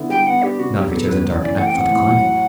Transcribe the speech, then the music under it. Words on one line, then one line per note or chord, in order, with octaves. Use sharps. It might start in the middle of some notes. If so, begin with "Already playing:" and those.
"Not if he chose a dark night for the climbing."
Already playing: D3 B3 E4
G3 G5
B3 F#5
D4 G4
C3 F#4
F#3 G4
B3 A4
F#2 B4
F#2
E3 D5
A3 F#5
G5
C4 F#5
A2
F#3
F#3